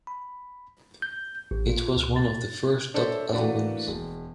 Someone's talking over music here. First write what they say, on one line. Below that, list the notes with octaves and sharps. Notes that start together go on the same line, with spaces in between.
It was one of the first dub albums.
B5
G6
A1
F4
C#2
A6
D4 A4 C5 C#5 E5
E3 A3 A#3 D4 F#4
E1